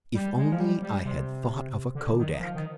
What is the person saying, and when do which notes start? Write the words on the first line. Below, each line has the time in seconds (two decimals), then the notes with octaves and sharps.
If only I had thought of a Kodak!
0.15 G3
0.37 G#3
0.52 F3
0.60 G3
0.82 G3
1.05 C3
1.95 D3
2.18 D#3
2.40 F3
2.55 D#3